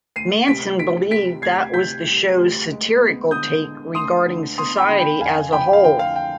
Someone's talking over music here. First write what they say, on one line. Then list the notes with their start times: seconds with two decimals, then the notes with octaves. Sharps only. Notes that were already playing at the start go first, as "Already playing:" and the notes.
Manson believed that was the show's satirical take regarding society as a whole.
0.16 D2 C7 D#7
0.47 C3 B6 D7
0.79 D2 B6 D7
1.11 C3 B6 D7
1.42 D2 G#6 C7
1.73 C3 G6 B6
2.06 G3
2.37 D2
2.69 G#3
3.00 B3
3.31 D3 D#6 G6
3.63 D3
3.95 D2 C6 D#6
4.26 D3
4.58 B3 C6 D#6
4.78 G5 B5
4.89 D3
5.00 G5 B5
5.20 F2 F5 G#5
5.52 F3 G5 B5
5.73 F5
5.83 D3 G5
5.99 F5
6.16 G5